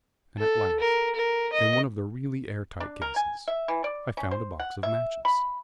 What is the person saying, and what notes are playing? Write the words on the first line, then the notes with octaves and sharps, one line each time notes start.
And at last, in one of the really air-tight cases, I found a box of matches.
A4
A#4
A#4
D#5
D4
A#4
G#5
E5
E3
D5
C#4
C5
F#5
E5
B5